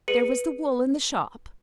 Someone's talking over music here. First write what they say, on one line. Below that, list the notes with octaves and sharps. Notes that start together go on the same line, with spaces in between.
There was the wool in the shop.
G#4 B4 C#7 D#7 F#7